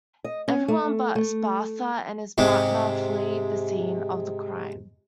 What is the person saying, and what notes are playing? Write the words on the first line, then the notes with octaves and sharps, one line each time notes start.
Everyone but Sparser and his partner flee the scene of the crime.
D#5
C#4
A3
A3
G#2 C3 G#3